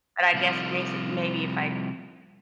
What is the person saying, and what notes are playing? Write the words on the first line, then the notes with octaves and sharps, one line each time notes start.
but I guess macy maybe if I
C2 F3